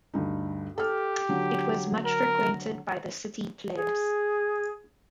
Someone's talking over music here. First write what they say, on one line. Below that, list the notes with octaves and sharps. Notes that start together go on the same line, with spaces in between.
It was much frequented by the city "plebs".
D2 G2 D#4
G4 A4 F6
D3 F#3
A#4
G#4